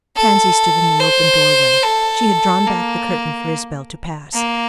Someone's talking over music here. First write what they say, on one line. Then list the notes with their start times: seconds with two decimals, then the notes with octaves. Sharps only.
Pansy stood in the open doorway; she had drawn back the curtain for Isabel to pass.
0.17 A4
1.00 C5
1.83 A4
2.67 A#3
4.34 A#3